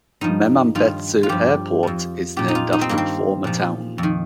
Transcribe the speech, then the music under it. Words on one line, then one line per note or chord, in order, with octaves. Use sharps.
Memanbetsu Airport is named after the former town.
G2 F3 D#4
G2 D#3 F4
F4
G2 F3 G4
F2 F3
A#2 F3 G4
D#4
F4
D#4
C4
G2 D#3 A#3
C4
A#2 F3
F2 D#3